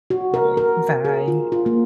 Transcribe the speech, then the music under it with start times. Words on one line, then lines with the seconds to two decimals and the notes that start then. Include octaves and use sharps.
Right, bye.
0.10 F#4
0.34 A#4
0.57 A#4
1.05 G#4
1.28 F4
1.52 F4
1.66 A#3